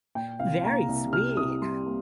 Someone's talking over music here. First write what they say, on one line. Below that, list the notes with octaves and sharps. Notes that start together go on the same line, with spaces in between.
Very sweet!
A#2 G5
C2 F5
A#3 A#5
C2
C3 F6
C2 D#6
G3 C6
A#3